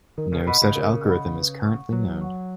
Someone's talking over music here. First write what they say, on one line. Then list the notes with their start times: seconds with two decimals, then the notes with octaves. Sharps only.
No such algorithm is currently known.
0.18 D#3 A#4
0.32 C#3
0.47 B2 D#5 F#5 B5
0.62 C#3
0.75 A#4
1.04 D#5 F#5 B5
1.35 B4
1.63 F#5 C#6
1.92 F#3 B4
2.21 F#5 C#6